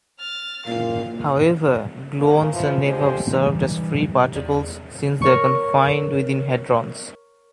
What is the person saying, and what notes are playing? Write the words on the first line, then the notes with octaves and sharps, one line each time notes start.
However, gluons are never observed as free particles, since they are confined within hadrons.
F6 A6
F#1 A#2 F5
C#3 A#3
E3 F3
D3 F3 G#3 D4 G4 C5
E3 G3 D#4
C3
E2 G#4 D5
A#4 C#5 C#6